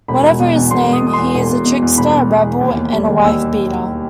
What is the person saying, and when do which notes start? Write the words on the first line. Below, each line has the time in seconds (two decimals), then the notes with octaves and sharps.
Whatever his name, he is a trickster, a rebel, and a wife beater.
0.08 E1 B5
0.23 E1
0.40 B2
0.55 E2
0.71 E1 C6
0.87 E1 D#6
1.02 B2 D#6
1.13 E2 C6
1.35 E1
1.50 E1
1.65 B2
1.82 E2
1.98 E1 B5
2.13 E1
2.30 B2
2.44 E2
2.61 D#2
2.77 D#2
2.93 G3
3.09 D#3
3.24 D#2 E6